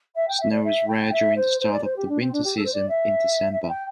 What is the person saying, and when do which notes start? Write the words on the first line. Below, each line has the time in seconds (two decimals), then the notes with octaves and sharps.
Snow is rare during the start of the winter season in December.
0.15 E5
0.27 G5
0.40 E5
0.51 D5
0.63 E5
0.87 G5
1.11 E5
1.36 C5
1.59 C5
1.72 D5
1.83 C5
1.96 G4
2.08 D4
2.20 C4
2.32 D4
2.43 G4
2.56 A4
2.65 C5
2.72 D5
2.88 E5
3.52 E5
3.62 E5
3.68 G5